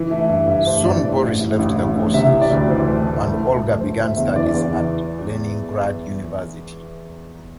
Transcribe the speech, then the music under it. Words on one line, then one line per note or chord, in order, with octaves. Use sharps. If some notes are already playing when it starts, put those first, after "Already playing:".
Soon Boris left the courses, and Olga began studies at the Leningrad University.
Already playing: E3
A3 E5
G2 E5
G2 E5
A3 C5
G2 D5
A2
A1
A2
A1
A1
A1
C3 E5
E3
D5
D2
E3 C5
A3
A3
A3
A3
A3
A3 C5
A3
E5
E2
E3 D5
E2
E3